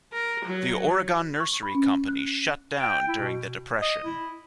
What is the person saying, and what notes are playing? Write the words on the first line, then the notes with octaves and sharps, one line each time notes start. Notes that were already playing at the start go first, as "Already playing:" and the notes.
The Oregon Nursery Company shut down during the depression.
A#4
F#3
C#6
B5
C#4
F#6
G5
E4
B2
D#5
E4